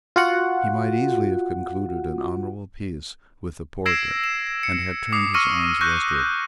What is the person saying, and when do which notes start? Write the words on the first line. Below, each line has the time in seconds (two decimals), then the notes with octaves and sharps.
He might easily have concluded an honourable peace with the Porte, and have turned his arms westward.
0.16 F4 F#4 F#5
3.86 E6 G#6 A#6 C7 D7 E7
4.24 E7
4.63 C#7
5.12 D6 D#6 C7
5.34 C#6 E6 F6 A#6 C#7 D#7
5.81 C#6 F#6 G6 A#6